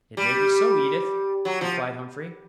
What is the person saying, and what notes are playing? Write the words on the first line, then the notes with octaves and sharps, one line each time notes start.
"It may be so, Edith," replied Humphrey.
G3
F#3
F3